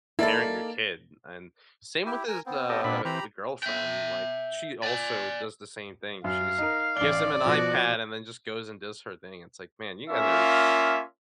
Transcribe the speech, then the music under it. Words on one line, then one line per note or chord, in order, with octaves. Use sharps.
parent your kid." And, same with his, uh the girlfriend. Like, she also does the same thing, she just gives him an iPad, and then just goes and does her thing. It's like, "Man, you guys are
A#3 D#4 E4 A4 D5 A6
E4 G4
A#4 G#5
B3 C4
G4 A4 D#5
A#2 D4 B5
E3 C4 G4 A#5 B5
E5 G5
D5 G#5
F#2 F5
D#4 A#4
A1 D5 G7
B2 F3 F#4
A#3 C#4 F4 E5